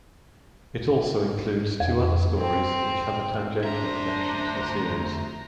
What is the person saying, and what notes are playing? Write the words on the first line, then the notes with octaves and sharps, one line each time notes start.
It also includes two other stories which have a tangential connection to the series.
F2
C4
D2 D4 C5 E5 A#5